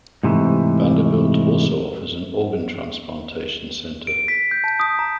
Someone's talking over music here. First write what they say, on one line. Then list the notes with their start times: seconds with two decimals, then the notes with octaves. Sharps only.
Vanderbilt also offers an organ transplantation center.
0.23 G#2 C3 E3 A3
4.07 D7
4.28 B6
4.51 G6
4.64 A5
4.80 D#6
4.99 A#5